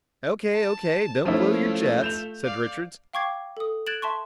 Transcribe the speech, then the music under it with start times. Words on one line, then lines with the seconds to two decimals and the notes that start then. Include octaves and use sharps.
"O.K.--O.K.--don't blow your jets," said Richards.
0.54 A5
1.25 F3 A3 C#4 E4 F4
2.02 G6 E7 F7
2.44 D5 F5
3.13 F5 G5 C#6 D6 G#6 C7
3.57 A4 D#6
3.87 F#6 G#6 A6 D7 E7 F#7
4.02 E5 A5 C6 C#6